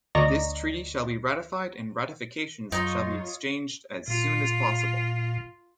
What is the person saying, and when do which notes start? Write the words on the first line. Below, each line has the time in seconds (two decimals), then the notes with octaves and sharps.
This Treaty shall be ratified and ratifications shall be exchanged as soon as possible.
0.15 D2 D5 D#5 A#5 C#6 A#6
2.72 F#2 D#4 F4 C#5 D#5
4.08 A#2 F4